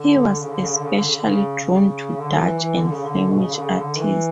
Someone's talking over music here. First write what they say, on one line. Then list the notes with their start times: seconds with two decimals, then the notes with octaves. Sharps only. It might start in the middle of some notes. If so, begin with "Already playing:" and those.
He was especially drawn to Dutch and Flemish artists.
Already playing: D3
0.40 C#3
0.51 D3
0.62 C#3
0.73 D3
0.84 C#3
0.94 D3
1.05 C#3
1.16 D3
1.27 C#3
1.59 C#3
2.18 D3
2.32 F#3
2.39 E3
2.58 E3
2.78 D3
2.91 C#3
3.03 D3
3.30 B2
3.38 C#3
3.51 D3
3.58 C#3
3.77 D3
3.97 E3